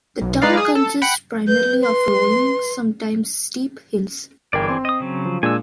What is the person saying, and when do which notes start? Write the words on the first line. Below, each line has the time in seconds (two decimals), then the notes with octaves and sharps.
The town consists primarily of rolling, sometimes steep, hills.
0.21 B1
0.42 G#3 D#4 B4 D5 F5
0.57 G#4
0.75 A4
1.02 F#5 G5 B5
1.48 B4 G6
1.83 C6
4.53 G1 E3 G#4 A#4 D5 G5
4.68 C4 C6
4.85 D#5 D#6
5.00 C#3 F#3
5.26 F3
5.43 A#2 G#3 D4 G#5 E6